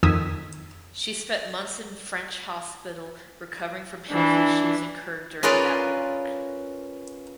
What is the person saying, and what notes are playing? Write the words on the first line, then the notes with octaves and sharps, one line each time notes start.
She spent months in French hospital recovering from health issues incurred during that work.
F2 D#3 D#6 E6 G#6 B6
E3 D4
C#4 F4 G#4 A#4 B4 D5